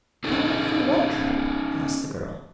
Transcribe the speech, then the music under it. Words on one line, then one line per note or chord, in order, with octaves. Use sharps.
"Gone out for what tripe?" asked the girl.
C#4 D#4 G#4 A4